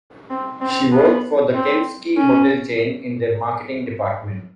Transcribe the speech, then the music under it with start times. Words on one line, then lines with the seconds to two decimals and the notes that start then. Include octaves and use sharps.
She worked for the Kempinski hotel chain in their marketing department.
0.30 C4
0.61 C4
0.92 B3
1.55 C4
2.17 C#4